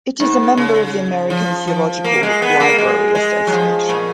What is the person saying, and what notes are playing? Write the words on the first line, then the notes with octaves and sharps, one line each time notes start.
It is a member of the American Theological Library Association.
G#2
C#3
F3
F3
A#3
G#3
B3
A#3
G#3
G#3
F#3
F3
A#2